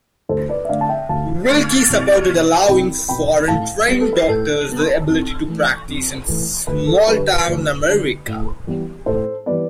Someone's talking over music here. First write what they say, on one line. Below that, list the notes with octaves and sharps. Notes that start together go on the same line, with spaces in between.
Willkie supported allowing foreign-trained doctors the ability to practice in small-town America.
D2 A4 C5
B4 D5
E5
D3 A3 D5 F5
A5
E5 G5
D2 F5 A5
D3 A3
C2
B2 B3
C2 G5 B5
B2 B3 G5 B5
A2 F5 A5
G3 B3 B4
A4
B4
A2 A4
G3 B3
F2
E3 A3
F2
E3 A3
D2 B4
A4
D3 G3 B4
B4
D2
D3 G3
A2
E3 G3 B3
A2 A4 C5
E3 G3 B3 B4 D5